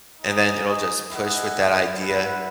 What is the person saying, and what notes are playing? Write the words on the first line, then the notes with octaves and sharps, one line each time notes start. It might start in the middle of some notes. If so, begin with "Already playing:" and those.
And then it'll just push with that idea,
D#4 G#4 D#5
E4 G#4 D#5 F#5
E4 B4 F#5